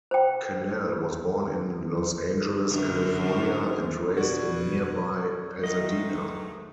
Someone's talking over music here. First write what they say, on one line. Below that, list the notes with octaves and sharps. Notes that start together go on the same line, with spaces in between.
Cannell was born in Los Angeles, California, and raised in nearby Pasadena.
C5 G5
F#2 D3 A#4
B2 F#4 D5 G#6
G#2 D#3 F#3 A3 D#5